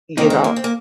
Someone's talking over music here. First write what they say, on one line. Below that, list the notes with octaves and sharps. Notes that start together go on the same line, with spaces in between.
you know
D#2 D#3 A#3 C4 D#4
G#3
A#3
C4
A#3